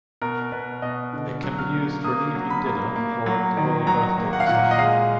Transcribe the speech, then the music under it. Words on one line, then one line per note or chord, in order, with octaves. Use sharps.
It can be used for an evening dinner or at the Royal Birthday Procession.
B2 A#4
B2 B4
B2 D#5
D3
F#3
F6
A#3
A#3 D#6
F#3
B5
A#3
A#3
F#3
D#3
F#3 A#5
A#3
F#5
F5
A#2 F#5
D#5
G#3 F5